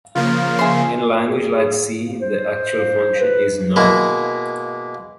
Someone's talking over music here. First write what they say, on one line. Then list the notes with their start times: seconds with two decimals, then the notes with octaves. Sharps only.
In a language like C, the actual function "is" known.
0.15 C#3 F3 A#3 F4
0.59 G#4 E5 C6
1.28 G#4
2.22 C5
3.21 B4
3.76 B2 G#3 A#3 E4